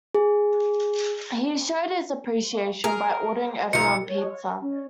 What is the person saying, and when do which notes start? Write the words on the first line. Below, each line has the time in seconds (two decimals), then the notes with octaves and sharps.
He showed his appreciation by ordering everyone pizza.
0.15 G#4
2.84 G#4 A#4
3.73 B1 F3 A#4 D#5 C#7
4.08 C#5
4.62 C#4